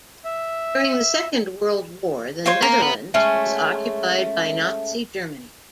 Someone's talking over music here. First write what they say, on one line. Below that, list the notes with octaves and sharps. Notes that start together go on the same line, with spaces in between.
During the Second World War, the Netherlands was occupied by Nazi Germany.
E5
F4 C5 C#5
A#3 A#4
B3
G#3 A3 C#4